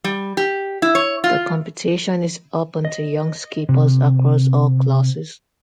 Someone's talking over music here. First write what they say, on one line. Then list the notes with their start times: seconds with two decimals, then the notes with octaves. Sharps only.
The competition is open to young skippers across all classes.
0.04 G3
0.37 G4
0.82 E4
0.95 C#5
1.24 F4
2.85 D#5
3.69 C3